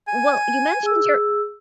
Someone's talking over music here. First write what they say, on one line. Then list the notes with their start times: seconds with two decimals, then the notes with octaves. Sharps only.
Well, you mentioned your
0.08 G#5
0.83 G#4 E6